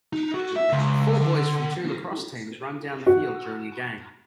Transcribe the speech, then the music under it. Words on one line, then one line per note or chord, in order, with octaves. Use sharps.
Four boys from two lacrosse teams run down the field during a game.
D#4
F#4
E5
C#2
D3
F#4